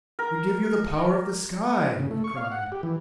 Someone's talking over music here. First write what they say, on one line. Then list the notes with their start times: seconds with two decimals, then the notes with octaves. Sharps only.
"We give you the power of the sky!" we cried.
0.19 A#4
2.00 C#3
2.11 A3
2.24 C#6
2.36 F5
2.52 F#5
2.72 G4
2.83 E3